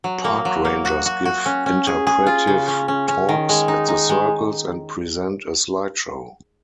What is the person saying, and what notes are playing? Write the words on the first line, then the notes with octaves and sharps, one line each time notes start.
Park rangers give interpretive talks at the circles and present a slide show.
F#3
A#3
F#3
A#3
F#4
F#4
F#4
C#4
C#4
G#4
G#4
F4
C#3
C#4
C#4
C#4
D#3
G#3
D#4
D#4
G#3